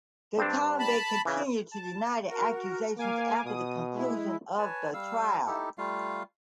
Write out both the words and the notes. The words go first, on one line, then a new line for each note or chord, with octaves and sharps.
The convict continued to deny the accusations after the conclusion of the trial.
G2 C4 D4
A5 B5
C#3 E3
A5
F#4 A#4
A#3 F5 G#5 D6
B2 D#6
G#3 E4
B4 C#5 G#5 A5
G3 F5 E6
D#4 E4 G4 A4
G3 A3 F4 F5